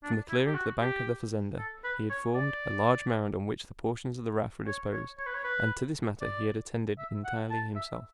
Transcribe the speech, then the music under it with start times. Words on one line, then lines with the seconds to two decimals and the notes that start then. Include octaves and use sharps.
From the clearing to the bank of the fazenda he had formed a large mound on which the portions of the raft were disposed, and to this matter he had attended entirely himself.
0.03 D4
0.29 E4
0.46 G4
0.55 F#4
0.81 G4
1.58 A4
1.84 B4
2.10 C#5
2.35 D5
4.67 C#5
4.92 C#5
5.18 C#5
5.26 B4
5.34 C#5
5.44 B4
6.21 D5
6.98 E5
7.25 F#5
7.50 A5
7.76 E5